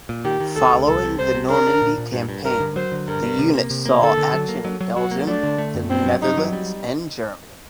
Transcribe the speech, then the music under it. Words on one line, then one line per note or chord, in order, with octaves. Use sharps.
Following the Normandy campaign the unit saw action in Belgium, the Netherlands and Germany.
A#2
D#3 G4
D#3
D2 A4
D2
C2 A4
C3
C2 C5
C3
D4 A#4
D4
A#2
A#2
G2
G2
G2 A#4
D3
F#3 C5
D3
G2 A#4
G2
C3
A#3
C3
A#3
D3 A4
D3
F#3
A#3
F#3
F#3
F#3 F#4
A#3
A3 D4
D3
A3
F#2
G2 C4
F#3
G2 D#4
F#3
G3